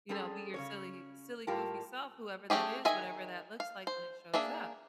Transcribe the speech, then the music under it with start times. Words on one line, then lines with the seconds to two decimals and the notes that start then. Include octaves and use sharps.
you know, be your silly silly goofy self, whoever that is, whatever that looks like when it shows up.
0.09 G3 C4 C#4 G#4 A4
0.54 C#3 C#4 C#5
1.47 A2 G3 F4 G4 A#4 A5
2.50 A3 C#4 G4 G#4
2.85 D#3 G#4 E5 G#5
3.60 F5
3.87 C5
4.34 A#3 D4 G#4 E5